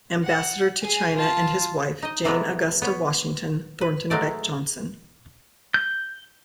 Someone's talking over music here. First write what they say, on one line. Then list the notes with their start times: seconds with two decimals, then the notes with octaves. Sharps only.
Ambassador to China and his wife Jane Augusta Washington Thornton Beck Johnson.
0.23 F#5
0.82 G#4 G#5
1.15 F4 A5
2.02 D#4 D#5
2.24 C3 E3 F#3 G#3 A3 B3
2.82 B3 C#5
3.81 B4
4.10 F#3 G#3 A3 D5
5.74 G6